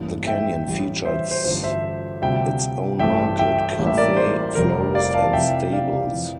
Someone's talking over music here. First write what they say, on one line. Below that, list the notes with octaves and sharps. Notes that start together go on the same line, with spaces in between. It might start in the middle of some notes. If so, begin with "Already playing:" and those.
The canyon features its own market, cafe, florist and stables.
Already playing: A1 G2 E3 A#3
E5 G5
A1 A2 E3 G3
C5 E5
C5
A1 G2 D3 F3 C5
C5 E5
D2 C3 G3 D4 F4 E5 G5
A1 G2 E3 A3 C4 E5 G5
E5 G5
E5 G5
A1 A2 G3 A#3
E5
A#4 D5
C5
F1 F2 C3 G3 C4 A#4
D5 F5
F5 A5
F2 C3 E3 E5 G5
D5 F5
F2 E3